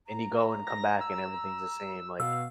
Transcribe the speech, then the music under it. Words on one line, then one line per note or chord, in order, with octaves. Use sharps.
and you go and come back and everything's the same, like
A#5
A#6
E6
B2 F5 E6